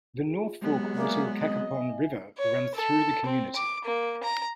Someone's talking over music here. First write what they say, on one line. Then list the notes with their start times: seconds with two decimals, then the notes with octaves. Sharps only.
The North Fork Little Cacapon River runs through the community.
0.24 F4 G#4
0.62 F#3 G#3 B3 G4
0.95 A#3 D5 E5 G#5
1.39 C4 D#5
1.71 E5 G#5
2.38 C#5
2.74 A4
3.25 C4
3.56 D6
3.85 A#3
4.23 A#5